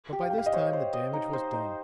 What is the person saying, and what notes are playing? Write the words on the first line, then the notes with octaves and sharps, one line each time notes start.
But by this time the damage was done.
G4
F5
G5
G4 F5
D#5
C5 C#5
C5
D#5
D#4
C5
D#4